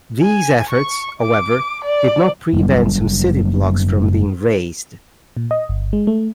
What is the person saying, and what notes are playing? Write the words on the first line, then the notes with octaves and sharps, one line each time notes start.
These efforts, however, did not prevent some city blocks from being razed.
G#5
C#6
D6
D5
F#1 F#2 B2 G3
A#2
D#5
G1
G#3
A3